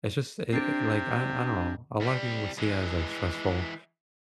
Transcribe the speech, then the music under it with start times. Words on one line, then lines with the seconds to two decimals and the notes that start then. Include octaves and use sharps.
it's just i it, like I I don't know. A lotta people would see it as, like, stressful
0.53 C3 C4 D4
2.00 C2 G3
2.58 E3 G#3